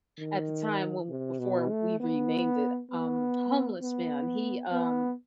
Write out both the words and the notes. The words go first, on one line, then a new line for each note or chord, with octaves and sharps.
at the time when before we renamed it, um, homeless man he, um
D#3
C3
B2
A3
B3
B3
B3
B3